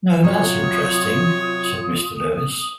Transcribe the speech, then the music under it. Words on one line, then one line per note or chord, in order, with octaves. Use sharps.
"Now that's interesting," said Mr. Lewis.
C3 F#3 F4 C#5 D#6